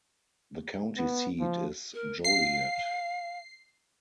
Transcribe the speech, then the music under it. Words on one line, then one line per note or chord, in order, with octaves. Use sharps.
The county seat is Joliet.
B3
F3
A#4
F5 C7